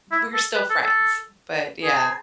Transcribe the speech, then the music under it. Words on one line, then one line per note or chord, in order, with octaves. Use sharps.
we're still friends, but yeah.
E4
A4
B4
A4
A4
G#4